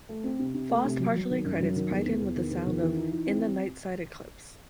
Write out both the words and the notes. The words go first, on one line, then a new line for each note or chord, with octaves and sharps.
Faust partially credits Pytten with the sound of "In the Nightside Eclipse".
A3
C4
C3
C3
A3
C3
F#3
F#3
D#3
F#2
F#3
D#3
E2
E2
E2
D#3
E2
D#3
E3
D#4
E3
C4